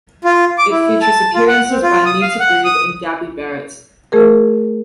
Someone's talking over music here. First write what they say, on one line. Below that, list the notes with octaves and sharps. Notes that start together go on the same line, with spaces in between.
It features appearances by Needtobreathe and Gabby Barrett.
F4
D6
E4
A5
F4
F#5
C4
F4
D#6
F5
F#5
D#6
A3 G#4 A#4